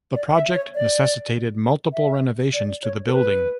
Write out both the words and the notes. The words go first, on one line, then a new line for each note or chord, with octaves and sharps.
The project necessitated multiple renovations to the building.
D5
E5
C#5
D5
E5
D5
C#5
A4
B4